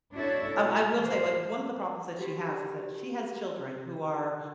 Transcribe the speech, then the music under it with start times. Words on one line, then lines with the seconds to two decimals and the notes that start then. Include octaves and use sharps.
um, I will say, like, one of the problems that she has is that she has children who are,
0.14 D4 E4 F#4 A4 C#5 E5
0.49 B2
0.98 E3 C5
2.19 F#4 G4